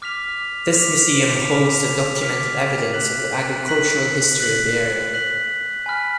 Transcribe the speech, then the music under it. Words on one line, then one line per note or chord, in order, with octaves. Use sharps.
This Museum holds the documented evidence of the agricultural history of the area.
D6 F6 B6 F7
D6 F6 B6 F7
D6 F6 B6 F7
D6 F6 B6 F7
F#6 B6 F#7
F#6 B6 F#7
F#6 B6 F#7
F#6 B6 F#7
G#5 B5 F6 B6